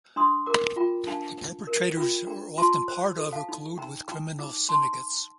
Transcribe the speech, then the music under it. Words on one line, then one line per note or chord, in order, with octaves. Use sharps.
The perpetrators are often part of or collude with criminal syndicates.
D4 C6 D#6
A#4 A#5 D6
F4 G5 A#5
D4 F5 A5
D4
A#4
F4 G5 A#5
D4 G5 A#5
F4 A5 C6
C5
A4
F5 A5
D#4
D#4 G5 A#5
D#4 G5 A#5
D#4 A#5 D6
D#4 A5 C6